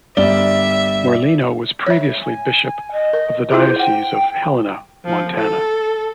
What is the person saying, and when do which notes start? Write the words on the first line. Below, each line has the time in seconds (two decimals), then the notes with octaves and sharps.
Morlino was previously bishop of the Diocese of Helena, Montana.
0.17 G1 G3 D5 E5 G7
1.87 C#5 E5
2.22 G#5
2.92 D#5
3.13 A#4
3.51 E4 F4 G#4 C5
3.79 F#5 G5
5.05 F3
5.36 A4